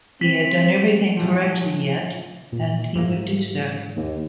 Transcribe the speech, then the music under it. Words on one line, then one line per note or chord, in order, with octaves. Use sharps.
He had done everything correctly yet, and he would do so.
C4 B6
A2 E3 F3
A#2
G#2 E3 A#3
D#2